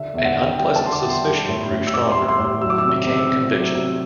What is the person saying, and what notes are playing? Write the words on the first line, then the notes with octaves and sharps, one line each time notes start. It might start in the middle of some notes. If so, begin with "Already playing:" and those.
An unpleasant suspicion grew stronger; became conviction.
Already playing: D3 D4 E5
E2 E5
F#5
E2
G5
G3 G5
A5
D3 C6
D6
E2
C6
G3
A2
A2
E6
C4 D6
C6
G3
C6
A2
C6
F#3 E6
D6
E6
C3
C3
C4
F#3
C3